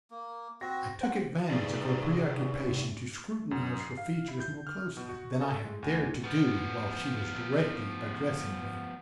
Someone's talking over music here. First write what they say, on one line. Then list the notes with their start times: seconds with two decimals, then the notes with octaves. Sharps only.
I took advantage of her preoccupation to scrutinize her features more closely than I had dared to do while she was directly addressing me.
0.11 A#3
0.61 C4 F#4 A#6
1.01 C5 F#5 G5
1.51 C3 D#4 G#4 B4 D5 A#5
3.51 F#2
3.80 C7
3.97 F5
4.28 E4
4.40 G6
4.67 F6
4.97 B2
5.09 F#4
5.41 A4
5.65 G#3
5.83 D2
6.24 F3 B3